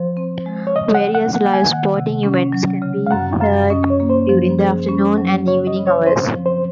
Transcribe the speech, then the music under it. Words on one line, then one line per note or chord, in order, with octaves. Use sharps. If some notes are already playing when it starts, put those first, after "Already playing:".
Various live sporting events can be heard during the afternoon and evening hours.
Already playing: F3 C5
C4
G#3
C#5
C#3 D#5
F#5
C#3
F#5
A#3 F#5
G#5
D#3
F#5
C3
C#4
F#3
C#3
F5
F#2 F#5
F#2 F5
C#4 D#5
C#5
A#3
C5
F3
G#4
C#4
F#3
C#3 C#5
D#5
C#3
C#5
C4 C5
F3
C5